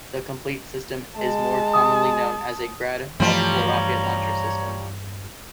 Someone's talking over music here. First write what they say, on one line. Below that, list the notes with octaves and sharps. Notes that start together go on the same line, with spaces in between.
The complete system is more commonly known as a Grad multiple rocket launcher system.
G#3 A5
D#6
G2 E3 F3 G3 A3 C#5 A#5